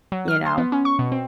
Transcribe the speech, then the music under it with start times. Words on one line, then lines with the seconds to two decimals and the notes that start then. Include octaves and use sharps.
You know?
0.12 F#3
0.28 F6
0.46 C6
0.58 B3
0.72 C#4
0.85 C#6
0.99 B2
1.12 C4